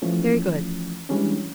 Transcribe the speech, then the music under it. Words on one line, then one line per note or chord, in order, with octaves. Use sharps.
"Very good."
E3 F3 A3 C#4
E3 G3 G#3 C#4 D4